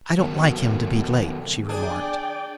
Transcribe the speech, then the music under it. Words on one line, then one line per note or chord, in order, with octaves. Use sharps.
"I don't like him to be late," she remarked.
D#3 F#3 B3 A4 A#4
D4 G#4 D5 G5